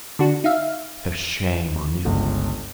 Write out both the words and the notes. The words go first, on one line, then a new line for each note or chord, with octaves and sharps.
For shame on you!
D3 D4 F#4
D#4 E5 F5
G1 C#2